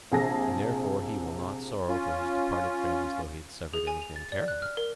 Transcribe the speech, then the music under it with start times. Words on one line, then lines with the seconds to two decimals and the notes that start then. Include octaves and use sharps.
And therefore he will not sorrow for his departed friend as though he had suffered anything terrible?
0.12 A#1 C3 G#4 A5 A#6
1.88 C#4 F4
3.74 G#4
3.87 G#5
4.02 F7
4.16 A6
4.32 D5
4.48 F#6
4.62 F6
4.77 A#4